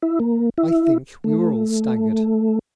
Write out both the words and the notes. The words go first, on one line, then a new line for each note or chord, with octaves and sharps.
I think we were all staggered.
E4
A#3
E4
A3